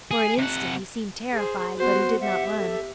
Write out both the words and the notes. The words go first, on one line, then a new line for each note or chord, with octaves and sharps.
For an instant he seemed terrified but he did not run.
G#4
C3 F#5
G#4 C5
B3 F#4 C5
G4 E5 F#5
A4